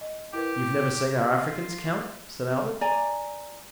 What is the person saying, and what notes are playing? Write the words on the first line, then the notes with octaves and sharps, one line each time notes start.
"You have never seen our Africans, count?" said Albert.
D#5
E4 G4 A#4 B4
F4
D5 G#5 A#5